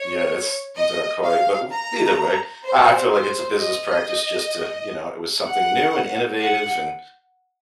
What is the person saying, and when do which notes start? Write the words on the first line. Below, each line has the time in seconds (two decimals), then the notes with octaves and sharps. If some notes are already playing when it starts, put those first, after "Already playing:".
Yeah, it's not quite, but, either way, I I feel, like, it's a business practice just to, you know, it was something new and innovative and
Already playing: C#5
0.76 D#5
1.22 F5
1.71 A#5
2.64 C5
3.11 C5
3.58 D#5
5.46 F#5
6.40 F#5